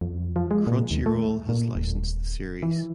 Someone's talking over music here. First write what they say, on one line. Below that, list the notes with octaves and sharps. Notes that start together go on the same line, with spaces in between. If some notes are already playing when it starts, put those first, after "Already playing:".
Crunchyroll has licensed the series.
F2
F3
G#3
A#2
D#2
A3
A#2
D#1
E3